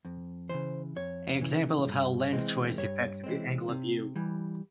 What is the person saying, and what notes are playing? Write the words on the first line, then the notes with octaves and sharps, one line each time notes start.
An example of how lens choice affects angle of view.
F2
C#3 E3 C5
F2 C#5
C#3 E3
G2
E3 G#3 C4
G2 C#5
E3 G#3 C4
C3
E3 G3